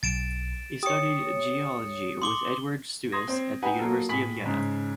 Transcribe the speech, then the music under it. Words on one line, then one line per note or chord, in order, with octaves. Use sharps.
He studied geology with Eduard Suess at the University of Vienna.
B1 A6 D7 E7
G4 C#5 D#6 C#7
C6 D6 G7
C6 D#6 G#6 A#6
C4 C5
D#4 G4 B4 D#5 F#5 G#5
F#3 A#3 F4 A4 A#4
A2 G#4 G#5 B6 F#7
G#2 C#3